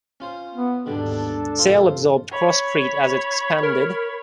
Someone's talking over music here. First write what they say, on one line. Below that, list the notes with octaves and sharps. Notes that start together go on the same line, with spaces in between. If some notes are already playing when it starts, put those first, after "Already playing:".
Sale absorbed Cross Street as it expanded.
C#4 F4 C5
B3
D#2 G#2 B2 D3 G3 D4 A4
G1 B2 E3 F4 C5 D#6
C#5 B5
A#4